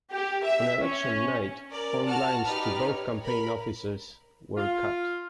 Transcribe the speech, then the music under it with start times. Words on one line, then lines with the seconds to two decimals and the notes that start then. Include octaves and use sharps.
On election night phone lines to both campaign offices were cut.
0.11 G4
0.45 E5
0.79 C#4
1.69 C#4 A#4 D5
2.06 F#4 F#5 A5 F6
2.43 D#4 G4 B4 D5 F6
2.83 C#5
3.24 A#4 B5
4.57 F4